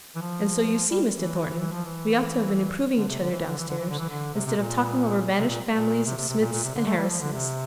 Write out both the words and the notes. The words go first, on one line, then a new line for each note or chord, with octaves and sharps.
'And so you see, Mr. Thornton, we ought to have been improving each other down-stairs, instead of talking over vanished families of Smiths and Harrisons.
E3
F3
G3
E3
E3
F3
E3
D3
C3
D3
E3
D3
E3
D3
E3
D3
E3
D3
C3
C3
A#2
C3
A#2
A#2
C3
C3
C3
A#2
A#2
C3
D3
A3
G3
F3
D3
C3